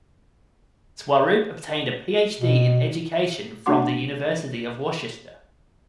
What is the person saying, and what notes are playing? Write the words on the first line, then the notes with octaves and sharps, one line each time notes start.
Swaroop obtained a Ph.D. in Education from the University of Worcester.
B2
A3 D4 F#4 F#5 C6 D6